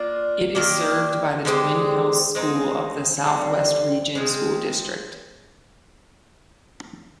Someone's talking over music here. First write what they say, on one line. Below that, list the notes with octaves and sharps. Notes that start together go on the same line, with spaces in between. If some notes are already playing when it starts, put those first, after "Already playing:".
It is served by the Twin Hills School of the Southwest Region School District.
Already playing: A#3 D4 F4
D#3 A#3 D4 G4
D3 G#3 C4 G4
G#3 C4 D#4
D3 G3 C4
F3 G#3 C4